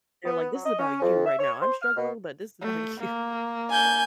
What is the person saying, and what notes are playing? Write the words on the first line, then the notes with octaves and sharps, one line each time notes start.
They're like, "This is about you right now. I'm struggling, but this is about you."
B3
F#3
D#5
C#4
F2
E5
C#5
C5
F6
B2
A3
A#3
G#5 G6